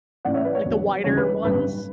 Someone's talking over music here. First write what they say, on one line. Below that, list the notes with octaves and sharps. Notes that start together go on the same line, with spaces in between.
Like the wider ones
A1 A2 E3 D5 F#5
C#5 E5
B4 D5
C#5
E2 D3 F#3
D2 C#3 E3 G3 C#4 C#5
B4
A1 G2 D3 G3 B4